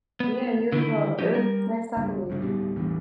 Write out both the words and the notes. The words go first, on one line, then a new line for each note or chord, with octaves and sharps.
Yeah, you as well. It was nice talking to you.
B3
D3 D#3 E4
F3 C#4 D#4 G4
G3 A#4
G#1 C#2 G2
G2 C#3
D1 G1 B2 G3
A1 E2 G2